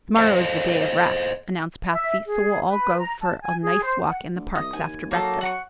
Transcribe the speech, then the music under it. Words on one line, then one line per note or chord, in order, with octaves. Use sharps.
"Tomorrow is the day of rest," announced Patsy, "so we'll all go for a nice walk in the parks after breakfast."
A4 C5 D#5 F5
E5
G#4
B4
A#5
A5
G#5
G#4
C5
F#5
D2
C2 D#5
D#2 G#5
F#3 A#3 D#4 A4
F#5 A#5 C#6